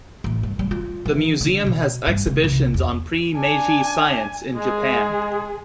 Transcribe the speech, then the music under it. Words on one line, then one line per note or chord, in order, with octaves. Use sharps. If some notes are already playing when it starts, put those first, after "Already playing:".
The museum has exhibitions on pre-Meiji science in Japan.
A1
G2
G3
F4
E3
D3
B2
G2
C#3
C2
E2
D4 G#5
G#3 G#4